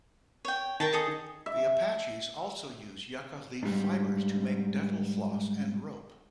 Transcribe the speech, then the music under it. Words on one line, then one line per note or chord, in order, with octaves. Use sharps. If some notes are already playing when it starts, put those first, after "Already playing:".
The Apaches also use yucca leaf fibers to make dental floss and rope.
C#5 G5
D#3 A#4 G5 A5
G#4 A4 D#6
E5
G#2 G3